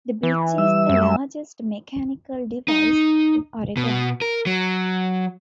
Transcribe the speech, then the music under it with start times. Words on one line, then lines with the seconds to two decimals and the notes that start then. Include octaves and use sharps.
The bridge is the largest mechanical device in Oregon.
0.23 E3
0.58 G3 E5 E6
0.89 F#2
2.68 D#4
3.77 B2
4.22 A#4
4.46 F#3